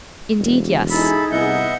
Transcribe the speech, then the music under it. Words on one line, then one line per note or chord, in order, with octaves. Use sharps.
'Indeed, yes.
E1
D#4 E4 G#4 A4 B5
C2 B3 D#5 E5 F#5 G6